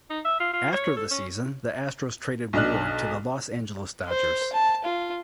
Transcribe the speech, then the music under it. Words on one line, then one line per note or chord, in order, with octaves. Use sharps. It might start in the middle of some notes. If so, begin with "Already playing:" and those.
After the season the Astros traded Ward to the Los Angeles Dodgers.
D#4
E5
F4
F4
C#5
A4
C#4
B1 D4 D#5 F6 F#6
C5
A5
F4